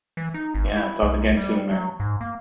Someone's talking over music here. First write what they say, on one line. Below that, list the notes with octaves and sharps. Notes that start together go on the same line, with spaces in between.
Yeah, talk again soon, man.
E3
D#4
G#1
E4
B1
G3
F#3
G#2
A#3